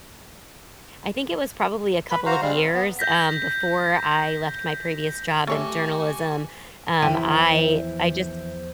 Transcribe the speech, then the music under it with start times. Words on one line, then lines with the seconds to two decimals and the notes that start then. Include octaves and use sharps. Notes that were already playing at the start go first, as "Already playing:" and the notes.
I think it was probably a couple of years, um, before I left my previous job in journalism. Um, I I just
2.11 B4 B5
2.26 F#4 C5 F5 A#5
2.42 G3 G#3 F5
2.54 C4
2.74 B3
2.99 G6 A#6 B6
5.47 A3 F#4 G4 C#5 E5 G#5
7.02 E2 E3 F3 E4 C5 G5